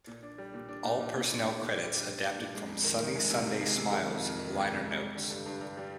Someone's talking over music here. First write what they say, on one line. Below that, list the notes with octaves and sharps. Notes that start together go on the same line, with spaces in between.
All personnel credits adapted from "Sunny Sundae Smile"s liner notes.
A#2
D4
G3
A#2
D4
A#2
A#2
A#2
D4
A#2
A#2
G3
D4
D4
D4
A#2
G#3
F2
D#3
D#3
G#3
C3
C3
G#3
C3
D#3
F2
F2
D#3
G#3
C3
G#3
G3
D3
G2
G2
G2
G3